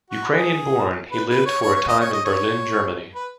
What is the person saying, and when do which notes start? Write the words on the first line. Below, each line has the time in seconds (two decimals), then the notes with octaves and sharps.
Ukrainian-born, he lived for a time in Berlin, Germany.
0.10 F#4
0.36 G#4
1.11 B4
1.29 B4
1.46 C#5
1.62 C#5
1.75 C#5
1.88 D#5
2.00 C#5
2.13 D#5
2.25 C#5
3.14 B4